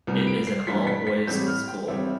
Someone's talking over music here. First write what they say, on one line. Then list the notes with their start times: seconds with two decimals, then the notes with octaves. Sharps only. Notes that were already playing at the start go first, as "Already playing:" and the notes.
It is an all-boys school.
0.07 C2 C3 G3 B3
0.27 D7
0.47 C7
0.67 G2 E3 G3 B6
0.87 B6
1.07 B6
1.27 A1 A2 G3 C4 G6
1.47 F6
1.68 G5
1.88 A1 A2 G3 C4 E5